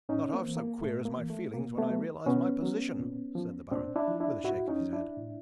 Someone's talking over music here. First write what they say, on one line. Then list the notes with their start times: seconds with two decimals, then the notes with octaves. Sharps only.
"Not half so queer as my feelings when I realised my position," said the Baron with a shake of his head.
0.09 A2 C#4 D#4
0.33 A#3 C4
0.45 E3
0.57 A#3
0.81 A2 A3
1.05 A#3
1.17 E3
1.30 A3
1.54 B2 A#3
1.78 A3 B3
1.90 F#3
2.26 B2 B3 C#4
2.63 F#3
2.99 A#2
3.35 F3
3.71 A#2 C4 D4
3.96 D4 E4
4.08 F3
4.20 D4 E4
4.44 A2 E4 F#4
4.68 C#4 D#4
4.80 F3
4.93 D4 E4
5.17 A2